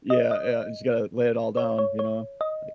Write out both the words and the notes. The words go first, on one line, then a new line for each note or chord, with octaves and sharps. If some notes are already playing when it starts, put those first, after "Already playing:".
Yeah, yeah, you just gotta lay it all down, you know? Like
D#5
D#5
C#5
C#5
C#5
D#5